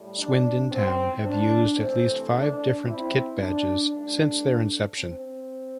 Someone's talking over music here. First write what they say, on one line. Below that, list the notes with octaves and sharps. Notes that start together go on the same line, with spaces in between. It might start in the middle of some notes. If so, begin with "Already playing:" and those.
Swindon Town have used at least five different kit badges since their inception.
Already playing: A2 G3
D4
C4
D4
C3 E3 A3 C4
D4
C4 E4
D4
G2 E3 A3 D4
C4